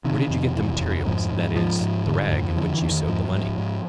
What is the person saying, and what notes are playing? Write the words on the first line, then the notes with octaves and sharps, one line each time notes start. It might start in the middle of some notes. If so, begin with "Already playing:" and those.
"Where did you get the material, that is, the rag in which you sewed the money?"
C3 D#3
F2
C3 E3
F2
G#2 F3
G#2
G#2 F3
G#2
D3
F2
D3 F3
E3
F2
D#3
G#2 F3
G#2
G#2